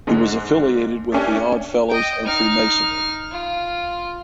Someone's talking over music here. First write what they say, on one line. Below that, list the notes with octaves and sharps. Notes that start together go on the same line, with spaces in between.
He was affiliated with the Odd Fellows and Freemasonry.
G#2 D3 G#3
A3 A#3 C#4 D4 G4
D#5 G5
D#4 F6
F4